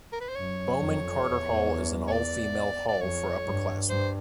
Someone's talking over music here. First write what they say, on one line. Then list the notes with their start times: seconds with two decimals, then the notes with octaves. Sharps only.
Bowman-Carter Hall is an all-female hall for upperclassmen.
0.12 A#4
0.20 B4
0.29 C5
0.36 F#2 C#5
0.80 F2
1.24 E2
2.07 C#5
2.12 D5
2.88 D5
3.01 F2 C#5
3.45 G2
3.89 G2 C5